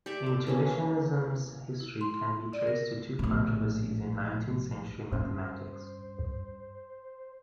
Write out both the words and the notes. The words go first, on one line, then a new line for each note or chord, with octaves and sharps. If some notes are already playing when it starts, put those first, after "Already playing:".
Intuitionism's history can be traced to two controversies in nineteenth century mathematics.
G4 D5 E5
A4
E3 A#3 C#4
E4
C6
D5
A#4
A#1 A2
G2 C#4 C5